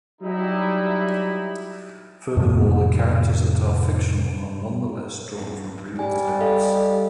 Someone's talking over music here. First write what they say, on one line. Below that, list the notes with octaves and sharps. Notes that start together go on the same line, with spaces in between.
Furthermore, the characters that are fictional are nonetheless drawn from real events.
F#3 G3 D#4 E4
F2 A2 C3 F3
G3 G#5
A4 D#5 F5